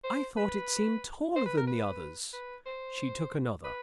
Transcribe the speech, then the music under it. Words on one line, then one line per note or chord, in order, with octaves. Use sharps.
"I thought it seemed taller than the others." She took another.
C5
B4
C5
B4
A#4
B4
B4
C5
B4